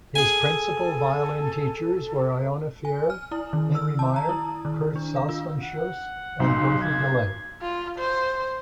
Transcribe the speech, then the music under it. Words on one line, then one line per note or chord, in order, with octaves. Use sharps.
His principal violin teachers were Ilona Feher, Henry Meyer, Kurt Sassmannshaus, and Dorothy DeLay.
G#4 A4 G#5
G#5
F6
E4
D#3
E6
A5
A#5
E4
D#3
D4
F5
F4
F#5
B1 C6
G#6
F4
C5